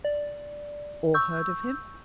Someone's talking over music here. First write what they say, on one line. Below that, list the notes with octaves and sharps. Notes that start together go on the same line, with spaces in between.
"Or heard of him?"
D5
C#6 E6 G6